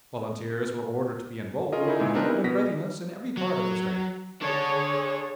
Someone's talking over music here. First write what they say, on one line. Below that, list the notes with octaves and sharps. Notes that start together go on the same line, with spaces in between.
Volunteers were ordered to be enrolled and held in readiness in every part of the State.
C#4 F4 A#4 D#5
D#4 E4 G#4
A#2 E3 G#3 E4
B3 C4 D4 D#4 A#4 B4
E4
B2 B3 A#6 B6
F#3
D4 G#4 A4 C#5